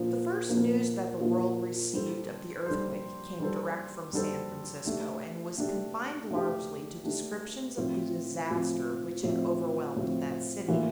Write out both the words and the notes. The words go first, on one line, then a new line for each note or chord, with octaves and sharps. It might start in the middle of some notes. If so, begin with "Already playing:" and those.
The first news that the world received of the earthquake came direct from San Francisco and was confined largely to descriptions of the disaster which had overwhelmed that city.
Already playing: A#2 F3 A#3 D4
A#2 F3 A#3 D4
A#2 F3 A#3 D4
G3 D4 A4 C5
G3 D4 A4 C5
G3 D4 A4 C5
G3 D4 A4 C5
A3 D4 G4
A3 D4 G4
A3 D4 G4
A3 D4 G4
A2 F3 C4
A2 F3 C4
A2 F3 C4
A2 F3 C4
A2 E3 A#3 F4